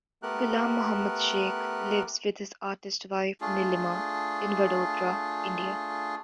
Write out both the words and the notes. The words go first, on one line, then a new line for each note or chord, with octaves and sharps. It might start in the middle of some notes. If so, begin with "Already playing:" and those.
Gulam Mohammed Sheikh lives with his artist-wife Nilima in Vadodara, India.
A3 B3 G4 A#4 F#6
A3 D4 F4 G#4